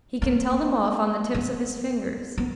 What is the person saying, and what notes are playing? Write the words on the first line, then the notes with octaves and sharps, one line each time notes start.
He can tell them off on the tips of his fingers.
A#3
B3
B3